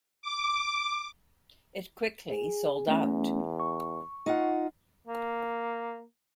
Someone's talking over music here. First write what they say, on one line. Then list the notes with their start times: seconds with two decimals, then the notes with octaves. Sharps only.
It quickly sold out.
0.22 D6
2.29 G#4
2.88 E2 A3 C#4
3.60 C#6
4.26 D#4 F4 F#5
5.07 A#3